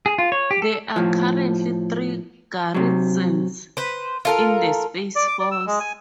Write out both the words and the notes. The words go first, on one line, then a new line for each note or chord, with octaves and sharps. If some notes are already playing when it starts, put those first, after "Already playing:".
There are currently three garrisons in the Space Force.
G#4
F4
C#5
G4
A4
A2 F3
C3 F#3
B4 C5
F4 A4 A#4
D5
D6
D5
E6
G#3
G#5